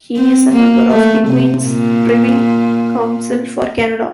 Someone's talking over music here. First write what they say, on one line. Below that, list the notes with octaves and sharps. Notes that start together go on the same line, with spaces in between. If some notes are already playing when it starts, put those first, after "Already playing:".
He is a member of the Queen's Privy Council for Canada.
C4
A#3
A3
C3
A#2